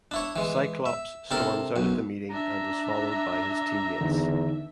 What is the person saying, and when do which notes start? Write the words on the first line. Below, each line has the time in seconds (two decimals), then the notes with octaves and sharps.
Cyclops storms out of the meeting and is followed by his teammates.
0.11 D4 E4 C#5
0.36 E3 G#3
0.86 E5
1.31 C3 D4 A4 A#4
1.76 B1 F#2
2.30 D4 E5 A#5
4.01 E2 D3 D#3 D#4